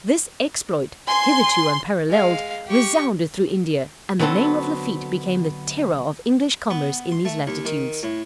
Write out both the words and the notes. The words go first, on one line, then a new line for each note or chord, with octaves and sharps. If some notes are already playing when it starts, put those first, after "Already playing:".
This exploit, hitherto unparalleled, resounded through India, and the name of Lafitte became the terror of English commerce in these latitudes.
G#5 C6
G#3 F5
G4 C#6
D3 F#3 B3 C4 A4
B3
C6
A3
D#2
D#3
A2